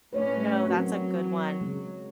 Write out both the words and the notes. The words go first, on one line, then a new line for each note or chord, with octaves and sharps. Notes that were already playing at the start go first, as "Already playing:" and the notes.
No, that's a good one.
A2 C#4 B4 C#5 D5
F#3 C4 F#4 A#4
C#3 G#3 C#4